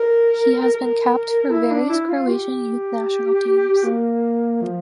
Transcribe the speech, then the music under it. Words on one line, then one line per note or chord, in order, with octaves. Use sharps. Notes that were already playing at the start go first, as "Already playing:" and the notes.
He has been capped for various Croatian youth national teams.
Already playing: A#4
A#4
E4
D4
E4
F4
G4
A#3
F3